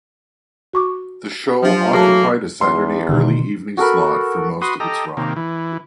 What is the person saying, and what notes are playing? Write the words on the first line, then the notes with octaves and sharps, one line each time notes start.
The show occupied a Saturday early evening slot for most of its run.
F#4 C#6 D6
F3 F#3 D4 G4
E3 F#3 A3 A#3 G#4 A5
E2 C6
B2 D3 D#3
F#4 A4 A#4 B5
F#4 B4 C6 D#6
G4 A4 D#5 A#5
C3 D#3 A#3
E3